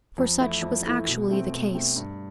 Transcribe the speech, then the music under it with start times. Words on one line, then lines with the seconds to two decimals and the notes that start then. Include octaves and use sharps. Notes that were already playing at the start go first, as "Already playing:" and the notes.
For such was actually the case.
0.18 F2
0.40 E3 A3 E4
0.62 F2
0.84 E3 A3 E4
1.07 B2
1.29 A3 C4
1.52 B2
1.75 A3 C4
1.96 G2